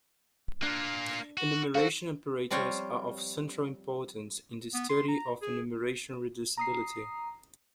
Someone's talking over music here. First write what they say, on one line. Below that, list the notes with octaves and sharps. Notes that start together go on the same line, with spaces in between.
Enumeration operators are of central importance in the study of enumeration reducibility.
A#3 D4 F4
F#4
F#4 A4 C5 F5
F3 G3 C4 F4 C#5
B3
C6
A#5
G#4
A#5 D#6 C7